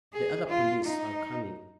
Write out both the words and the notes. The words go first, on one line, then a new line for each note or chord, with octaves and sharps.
The other police are coming.
G#4
F4
D#4